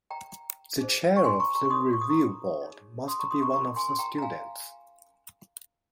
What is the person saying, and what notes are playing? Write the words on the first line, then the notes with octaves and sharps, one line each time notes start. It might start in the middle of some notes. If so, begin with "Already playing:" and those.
The chair of the Review Board must be one of the students.
G5 A#5
D#4 G#4 C5
C#6
G#5 C6
A#5 C#6
A#5 C#6
C#6
D#4 A#4 C#5 C6 D#6
C#6
D#6
A#5 C#6
D#4 G#4 C#5
C6 D#6
A#5 C#6
C6 D#6
A#5 C#6
C#4 F4 A#4 A#5 C#6
G#5 C6
C6
G5 A#5
A#5
F5 G#5